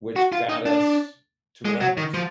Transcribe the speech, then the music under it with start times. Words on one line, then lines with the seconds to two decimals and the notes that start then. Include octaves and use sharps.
which got us to relax,
0.16 F#4
0.32 F4
0.49 D#4
0.66 D4
1.65 G#3
1.81 F#3
1.97 D#3
2.14 F3